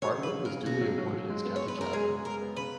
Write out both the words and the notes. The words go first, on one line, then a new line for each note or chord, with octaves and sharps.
Bartlett was duly awarded his county cap.
F#3 C#5
C#3
B4
C#3
A#4
C#3
C#3 F#4
F#3
F#3
F#3
G#3
B3
C#5
G#3
B4
F#2 A#4
G#3 G#4
C#3
G#3 A#4
B3
C#3 B4